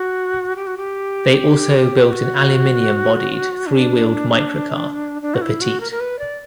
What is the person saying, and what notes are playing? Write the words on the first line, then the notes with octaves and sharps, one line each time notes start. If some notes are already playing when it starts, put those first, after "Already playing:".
They also built an aluminum-bodied three-wheeled microcar, the Petite.
Already playing: F#4
G4
F#4
G4
F#4
D4
D4
F#4
E4
F#4
A#4
A#4
B4
D5